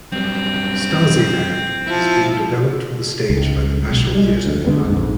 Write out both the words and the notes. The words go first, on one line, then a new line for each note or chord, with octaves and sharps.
"Stasiland" is being developed for the stage by The National Theatre in London.
F#2 G3 C4
F3 E4
C#2
B1
G3 G#3
D2
D3 G#3 B3
A#1 F2 G#2